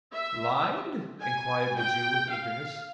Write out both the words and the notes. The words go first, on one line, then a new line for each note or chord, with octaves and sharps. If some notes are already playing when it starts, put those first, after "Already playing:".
'Lined?' inquired the Jew, with eagerness.
E5
G#5
G5
F5